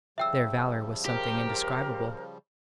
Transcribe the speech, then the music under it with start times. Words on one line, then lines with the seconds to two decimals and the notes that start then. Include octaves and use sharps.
Their valor was something indescribable.
0.18 C#3 F3 G3 E5 G5 E6
1.06 G4 A#4 C5